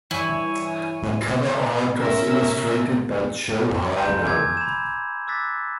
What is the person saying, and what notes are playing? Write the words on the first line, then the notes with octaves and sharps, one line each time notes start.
The cover art was illustrated by Joe Heiner.
G2 E3 E4 C#5 G#5
C#4 A#4 E5
G#5 A#5 C6 G6 D#7
G#5 D6 E6 G#6
B5 E7
D6 E6 F#6 A6 B6